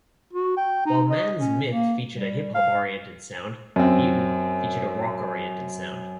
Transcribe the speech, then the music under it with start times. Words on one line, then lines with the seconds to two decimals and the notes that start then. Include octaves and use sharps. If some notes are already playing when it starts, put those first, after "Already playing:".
While "Man's Myth" featured a hip hop-oriented sound, "Mutant" featured a rock oriented sound.
0.33 F#4
0.57 G5
0.86 D#4
1.10 D#5
1.39 C#4
1.69 A#3
2.11 G3
2.55 F5
3.76 F#2 C4